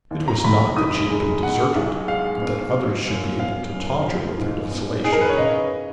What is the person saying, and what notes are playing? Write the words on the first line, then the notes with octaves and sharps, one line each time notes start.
It was not that she had been deserted, but that others should be able to taunt her with her desolation.
D#2
A#5
F1 B5
D#3 D#6
G#3
B2 F#5
B1
G#3 F5
B3
F3
F#2
B3 F5
F#2
F3
G#2
B3
D#4 G#4
A#4
B4
C#5
C#3 D#5